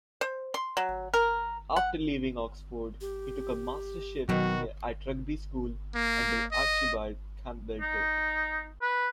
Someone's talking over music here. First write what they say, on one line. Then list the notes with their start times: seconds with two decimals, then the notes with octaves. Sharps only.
After leaving Oxford he took a mastership at Rugby School under Archibald Campbell Tait.
0.21 C5
0.54 C6
0.77 F#3
1.14 A#4
1.76 F#5
3.01 G4
4.29 B2 D#3 F#3 F#4
5.95 A#3
6.52 D#5
7.81 D#4
8.82 B4